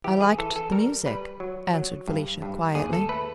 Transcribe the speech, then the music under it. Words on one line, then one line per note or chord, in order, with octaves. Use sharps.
"I liked the music," answered Felicia quietly.
E3 G4
G#4
E3 A4
A4
G3 A#4
G3 B4
F#3
F#3
G2
G2
D#2 G#4
A4
A3 B4